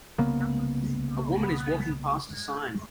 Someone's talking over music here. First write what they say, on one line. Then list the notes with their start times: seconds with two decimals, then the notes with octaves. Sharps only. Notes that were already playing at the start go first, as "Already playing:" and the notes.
A woman is walking past a sign.
0.18 C2 C#3 A#3 B3